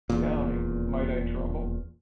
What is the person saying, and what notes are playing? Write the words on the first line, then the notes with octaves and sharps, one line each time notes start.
Downing, might I trouble...?
D#1 E2 A#2